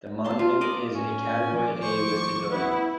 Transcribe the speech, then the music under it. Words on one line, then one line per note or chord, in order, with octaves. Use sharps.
The monument is a category A listed building.
A5 C6
F4
A#4 D5 D#5
A2 C#4
D#2 F3 G#5 D6
C5 C#6
B3 E4